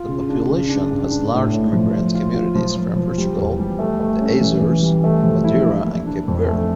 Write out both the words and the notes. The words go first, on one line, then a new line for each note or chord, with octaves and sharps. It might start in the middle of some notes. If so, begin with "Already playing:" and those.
The population has large immigrant communities from Portugal, the Azores, Madeira and Cape Verde.
Already playing: F4
C#3
D4
C#3
D4
G2
D4
A2
A2
F3
F4
F4
F4
F3
F3
F3
G3
E2
G3
A3
A3
C#4
E3
E3
G3
A3
F3
E4
D4
A#3
D4
F2
A3